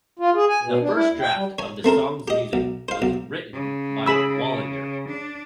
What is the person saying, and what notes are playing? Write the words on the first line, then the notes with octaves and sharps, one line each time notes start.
The first draft of the song's music was written by Wallinger.
F4
G#4
G#5
B2
D4
E4
D#2
G5
G3
C#5 G#5
A3 C4 A4 A#4
G4 D#5
B1
C5 F5
B1
C#3
G#4 B5 E6
D4